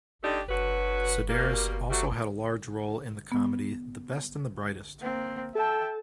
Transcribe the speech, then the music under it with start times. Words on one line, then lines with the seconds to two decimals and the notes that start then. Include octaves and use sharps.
Sedaris also had a large role in the comedy "The Best and the Brightest".
0.23 D3 A3 D4 D#4 G4
0.49 D3 F#3 F#4 B4
1.29 B2 G3 A#3
1.90 F#3 G3 A3 C4 F#4
3.32 B3
5.01 A#3 C4
5.55 A4 E5 G5 A5